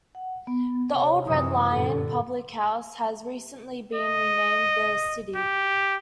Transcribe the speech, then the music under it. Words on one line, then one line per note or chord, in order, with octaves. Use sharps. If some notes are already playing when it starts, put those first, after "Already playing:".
The old "Red Lion" public house has recently been renamed "The Stiddy".
F#5
B3
C3 C#5
F#2 C3 E3 D#6
G2 A#2 D3 A4
D#5
G4